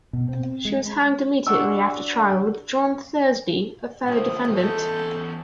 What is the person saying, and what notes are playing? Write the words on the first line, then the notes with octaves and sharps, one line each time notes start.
She was hanged immediately after trial with John Thursby, a fellow defendant.
B2
C4
G#3
D4 F#4 E6
A2 D3 F3 C5 E5 G#5 D#6
E2 C#4 A4 D#5 G6